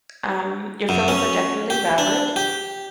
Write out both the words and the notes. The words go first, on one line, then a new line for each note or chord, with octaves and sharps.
Um, your feelings are definitely valid.
F#2
C#4
G4
D4
G4